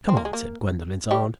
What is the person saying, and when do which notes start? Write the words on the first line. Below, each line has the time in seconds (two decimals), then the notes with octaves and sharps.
"Come on," said Gwendolen's aunt.
0.09 C4
0.17 A#3
0.25 G#3
0.33 A#3
1.11 G3 G4